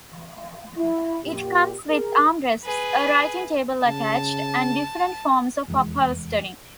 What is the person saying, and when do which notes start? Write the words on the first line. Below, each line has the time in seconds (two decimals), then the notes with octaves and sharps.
It comes with armrests, a writing-table attached, and different forms of upholstering.
0.77 E4
1.25 A#2 G4
1.90 G#4 A#4
2.64 G#4 B4
3.86 C#3 A5
5.68 F1 E2 G#3